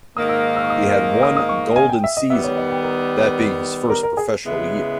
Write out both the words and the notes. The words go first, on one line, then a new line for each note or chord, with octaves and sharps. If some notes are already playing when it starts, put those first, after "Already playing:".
He had one "golden" season-that being his first professional year.
G#2 D#3 A#3 D#6
E6
E6
C#6
D#6
D#6
D#6
C#6
G#5
G5
E5
D#5
D#3 G3 B3 E5
C#5
D#5
G5
A#4
A#4
A#4
G#4
C#3 G#3 B3 E4